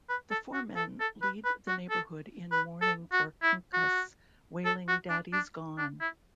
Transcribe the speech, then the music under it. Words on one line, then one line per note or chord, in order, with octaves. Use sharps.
The four men lead the neighborhood in mourning for Quincas, wailing Daddy's gone!
B4
A4
F#4
A4
A4
B4
B4
F#4
A4
B4
A4
F#4
E4
F#4
A4
F#4
D4
D4
D4
E4